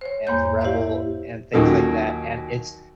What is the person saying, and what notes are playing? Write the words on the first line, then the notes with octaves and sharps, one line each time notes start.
and The Rebel, and things like that, and it's
C5 C#5
E2 G#2 A#3 C#5 G6
E4 G4 C5 D5 E5 F5
D#2 A#2 D#3 F#3 D#4 A4